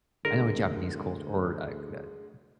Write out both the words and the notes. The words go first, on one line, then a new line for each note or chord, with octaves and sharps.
I know in Japanese culture or, like, uh
D2 D3 G#3 A#4